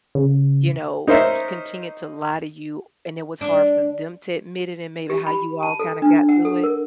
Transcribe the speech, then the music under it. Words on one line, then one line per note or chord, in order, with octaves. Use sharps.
you know, c continued to lie to you, and it was hard for them to admit it and maybe how you all kinda got through it?
C#3
D#4 A#4 C5 C#5 E5
D4
G4
B5
A5
A4
D4
F#5
A4
A#4